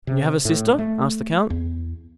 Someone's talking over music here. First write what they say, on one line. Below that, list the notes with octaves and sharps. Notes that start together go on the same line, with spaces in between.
"You have a sister?" asked the count.
C3
A2
A3
E2